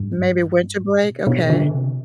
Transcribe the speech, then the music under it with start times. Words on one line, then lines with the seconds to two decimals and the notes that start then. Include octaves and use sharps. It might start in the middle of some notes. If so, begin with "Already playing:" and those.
Maybe winter break, okay.
Already playing: G2
0.80 A2
1.03 B2
1.27 B2
1.50 D3
1.73 C3